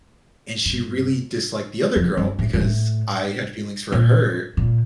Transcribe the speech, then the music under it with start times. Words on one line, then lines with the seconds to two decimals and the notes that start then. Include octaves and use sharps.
and she really disliked the other girl because I had feelings for her
0.65 G2
1.96 F2
2.17 G2
2.39 A2
2.53 G2
2.60 A2
3.92 A#2
4.57 A#2